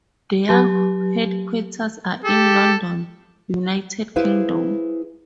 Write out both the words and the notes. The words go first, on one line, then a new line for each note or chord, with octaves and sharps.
Their headquarters are in London, United Kingdom.
F#3 G4
G4 A4
E4 G#4 B4 C5 F5